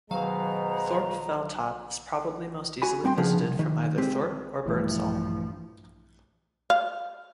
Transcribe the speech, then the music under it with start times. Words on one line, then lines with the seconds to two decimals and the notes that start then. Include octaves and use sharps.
Thorpe Fell Top is probably most easily visited from either Thorpe or Burnsall.
0.11 B2 D#3 F#3 G#3 C5 F5 A#5
2.82 F#4 G#5 B5
3.04 G3 C4 G5 G#5 C6
3.17 C#3 F3 B3 D4 G#4
3.37 C2
3.59 D#3
3.98 G#3 C4 G4
4.66 A#1 G2 E3 F3 G3 A3 E4
6.70 F5